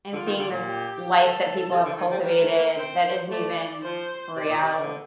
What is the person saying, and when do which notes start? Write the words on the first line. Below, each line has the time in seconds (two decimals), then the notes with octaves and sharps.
and seeing this life that people have cultivated that isn't even real
0.13 D3 F4
0.26 D#3
0.39 D3
0.52 A#2
0.65 G4
1.18 A4
1.71 C3
1.85 D3
1.98 D#3
2.11 G3
2.24 G3 A#4
2.42 A3
2.59 A#3
2.77 C4 C5
3.30 A3 D5
3.83 F3 C5
4.36 C3 D5
4.49 A#2
4.62 C3
4.76 D3